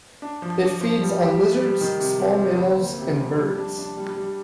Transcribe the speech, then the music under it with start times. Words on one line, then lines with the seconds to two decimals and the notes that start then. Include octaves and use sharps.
It feeds on lizards, small mammals, and birds.
0.22 D4
0.42 F3
0.62 D4
0.81 F3
1.01 G3
1.21 G4
1.41 G3
1.61 G3
1.81 D#3
1.99 C3
2.19 C4
2.39 C4
2.59 D2
2.78 A#3
2.99 C3
3.18 F3
3.39 G3
3.58 D4
3.78 D4
3.97 G3
4.17 G3